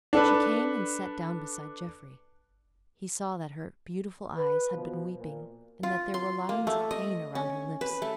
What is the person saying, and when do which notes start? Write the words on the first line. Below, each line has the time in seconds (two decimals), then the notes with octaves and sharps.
She came and sat down beside Jeffrey; he saw that her beautiful eyes had been weeping, and that there were lines of pain around her lips.
0.13 D4 A4 B4
4.37 B4
4.74 B2 F3
5.17 A#2
5.83 F4
6.14 C6
6.49 A#3
6.67 A3
6.91 D#5
7.35 C#4
7.81 B4
8.02 A3